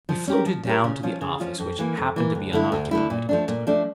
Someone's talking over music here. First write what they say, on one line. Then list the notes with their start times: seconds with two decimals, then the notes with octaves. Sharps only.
We floated down to the office, which happened to be unoccupied at the time.
0.09 F3
0.27 C#4 G4 A#4
0.46 F3
0.65 C#4 G4 A#4
0.84 C#3
1.03 F3 C#4 F4
1.21 C#3
1.40 F3 C#4 F4
1.60 F2
1.78 E3 A#3
1.97 F2
2.16 E3 A#3
2.35 D2
2.53 D3 A3 E4
2.72 D2
2.91 D3 A3 E4
3.10 A#2
3.29 F3 A3 D4
3.48 A#2
3.67 F3 A3 D4